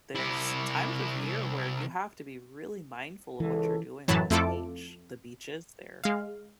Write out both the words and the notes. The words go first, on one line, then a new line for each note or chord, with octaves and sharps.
there's times of year where you have to be really mindful of what you're doing on that beach the beaches there,
C3 E4
C#2 E3 A4
F#2 A2 E3 F#3 A5 B5
F2 A3 E4 F4 A4 D6
G#3 F5